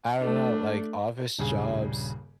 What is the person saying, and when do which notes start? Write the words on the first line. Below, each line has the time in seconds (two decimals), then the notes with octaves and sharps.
I dunno. Like, office jobs
0.19 A3 D4
1.39 D#1 G2 C#3 G#4